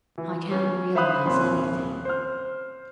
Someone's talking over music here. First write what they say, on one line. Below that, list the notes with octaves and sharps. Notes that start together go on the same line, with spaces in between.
I can't realise anything.
E3
C#4
C5 E5 F5 B5 D#6 F#6
D#1 C2 C4 C#4 C6
C5 F6